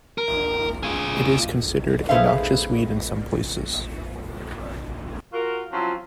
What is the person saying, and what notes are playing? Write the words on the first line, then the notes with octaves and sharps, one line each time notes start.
It is considered a noxious weed in some places.
A#4
F4 G#4
G#4 A4 B4 C5 E5 F5
F4 F#4 A#4
F3 F#3 C4 C#4 E4 F4